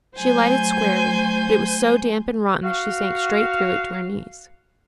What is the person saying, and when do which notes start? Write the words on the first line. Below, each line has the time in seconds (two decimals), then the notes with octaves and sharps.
She alighted squarely, but it was so damp and rotten that she sank straight through it to her knees.
0.18 F#3 A3 C5 G#5 G6
2.63 F#4 F5